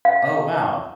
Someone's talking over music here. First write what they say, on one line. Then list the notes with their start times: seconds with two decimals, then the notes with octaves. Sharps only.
Oh, wow.
0.05 F5